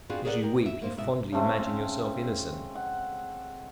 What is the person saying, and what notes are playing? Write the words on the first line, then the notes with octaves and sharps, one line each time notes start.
Because you weep, you fondly imagine yourself innocent?
B3 C4 D4 F4 F#4 G#4
G#4 A#4 D5 E5 F#5
G4 A#4
E5
A#3 C5
G#2 B2 E5
C#3 G#3 A3 C4
F#5